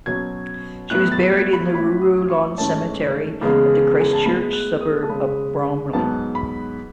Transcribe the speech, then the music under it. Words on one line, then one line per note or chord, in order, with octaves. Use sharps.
She was buried at the Ruru Lawn Cemetery in the Christchurch suburb of Bromley.
B2 F#3 C#4 G#6
A2 F#3 B3 F#6
A6
G#6
B5
A2 F#3 C#4 B5
D#6
C#6
G#2 E3 A3 C#4 A5
E2 C#3 G#3 B3
G#5
A5
A2 G#3 B3 B5
F#6
D#6
A5
C#3 G#3 C#4 B5
G#2 F#3 B3 A5
B5